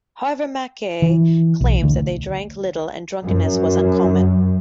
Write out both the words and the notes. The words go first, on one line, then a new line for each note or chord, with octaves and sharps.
However, Mackay claims that they drank little and drunkenness was uncommon.
E3
B1
D2
F#2